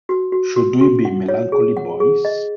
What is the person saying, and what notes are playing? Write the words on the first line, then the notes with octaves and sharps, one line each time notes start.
Should we be melancholy, boys?
F#4
F#4
F#4
F#4
F#5
C#5
G#4
F#5
G#4
D#5